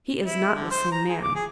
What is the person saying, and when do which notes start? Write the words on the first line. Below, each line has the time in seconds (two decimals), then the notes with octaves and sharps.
He is not the same man.
0.24 E4
0.55 D3
0.71 C5
0.92 A#5
1.09 G#4
1.23 D6
1.35 G#4